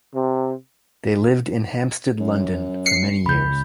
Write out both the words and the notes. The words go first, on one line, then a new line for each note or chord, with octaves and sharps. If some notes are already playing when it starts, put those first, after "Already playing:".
They lived in Hampstead, London for many years.
C3
F#2
C7 C#7
C#2 B5 G6